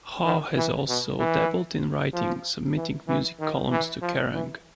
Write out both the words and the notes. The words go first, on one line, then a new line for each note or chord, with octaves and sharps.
Haug has also dabbled in writing, submitting music columns to Kerrang!
D#3
E3
B2
E3
F3
E3
E3
D#3
E3
F3
E3